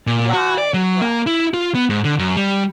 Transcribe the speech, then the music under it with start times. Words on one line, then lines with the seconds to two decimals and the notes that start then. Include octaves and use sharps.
Right, right.
0.07 A#2
0.33 F#4
0.58 D5
0.74 F#3
1.02 A#3
1.27 E4
1.54 F4
1.75 B3
1.90 G#2
2.04 D3
2.19 F#2
2.37 G3